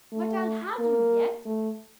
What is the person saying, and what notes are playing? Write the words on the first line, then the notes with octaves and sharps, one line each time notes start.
'But I'll have you yet.
A3
A#3
A3